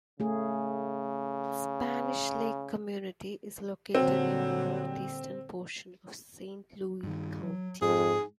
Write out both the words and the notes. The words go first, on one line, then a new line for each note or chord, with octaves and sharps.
The Spanish Lake Community is located in the northeastern portion of Saint Louis County.
C#3 A3 G#4
A#2 D3 F#3 G3 C4
G2 D#3
F#3
F2 G#2 G#4